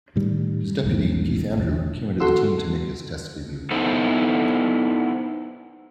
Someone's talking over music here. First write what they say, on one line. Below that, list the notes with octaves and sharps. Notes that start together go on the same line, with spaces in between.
His deputy, Keith Andrew, came into the team to make his Test debut.
A2 D#3 G3
B1 E2 G#2
E1
F#4 A4 F#5 C6 E6
B3 D#4 E4 A4 C5